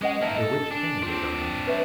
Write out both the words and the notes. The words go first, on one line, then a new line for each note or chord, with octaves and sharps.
Under which King, Bezonian?
G#3 C#4 D#5 F#5
A#3 D#4 D#5 E5 A5
A4
D4 G#5
C4 D4 F4
B4 C#5 E5